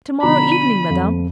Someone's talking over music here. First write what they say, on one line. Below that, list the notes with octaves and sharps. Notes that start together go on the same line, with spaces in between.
"To-morrow evening, madam."
B2 D3 F3 A#5 B5
D#7
F2